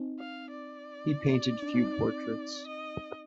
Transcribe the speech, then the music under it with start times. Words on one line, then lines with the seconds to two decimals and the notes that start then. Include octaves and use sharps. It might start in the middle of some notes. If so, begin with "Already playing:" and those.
He painted few portraits.
Already playing: C4 D#4
0.20 F5
0.50 D5
1.62 D4
1.74 C4 D#4
2.67 D#5